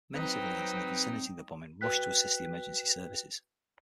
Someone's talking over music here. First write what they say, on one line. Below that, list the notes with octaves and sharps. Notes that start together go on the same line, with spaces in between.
Many civilians in the vicinity of the bombing rushed to assist emergency services.
F#3 C4 D#4 B4 G5 E6
F#4 B4 G5 F#6 B6